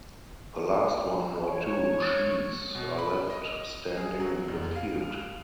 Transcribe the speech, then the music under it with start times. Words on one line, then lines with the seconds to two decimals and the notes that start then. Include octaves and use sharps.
The last one or two sheaves are left standing in the field.
1.43 C#5
2.75 B2
2.98 B5
3.30 D#5
3.98 G#4
4.20 F#3
4.48 F1
4.76 F5